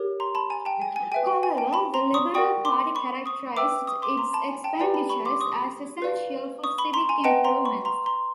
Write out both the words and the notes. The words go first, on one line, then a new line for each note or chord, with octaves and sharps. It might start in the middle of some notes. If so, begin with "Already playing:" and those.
However, the Liberal Party characterized its expenditures as essential for civic improvements.
Already playing: G4 A#4 C#5
A#5 C6
A5 B5
G#5 A#5
G5 A5
G#5
G#5
B4 E5 G5 G#5
G5
G#5
G5 A5
A5 B5
A#5 C6
C#6 D#6
A#4 D5 G5 C#6 D#6
C6 D6
B5 C#6
C#6 D#6
B4 E5 G5 D6 E6
C#6 D#6
C6 D6
A#5 C6
A5 B5
G#5
G5 A5
G4 B4 D5 G5 G#5 A#5
A5 B5
B5 C#6
C6 D6
C#6 D#6
B4 D5 F5
C#6 D#6
B5 C#6
A#5 C6
G#5 A#5
B4 D#5 F#5 G5 A5
A#5 C6
B5 C#6
A#5 C6
A#5 C6